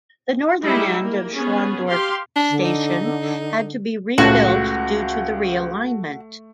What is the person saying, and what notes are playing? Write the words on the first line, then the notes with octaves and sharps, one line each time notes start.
The northern end of Schwandorf station had to be rebuilt due to the realignment.
G3 G#3 D#4 E4
A#3
B3 C#4 G#4
G4 F5 C6
D4
D3
D#4
C#2 A#2 A3 C#4 F#4 A5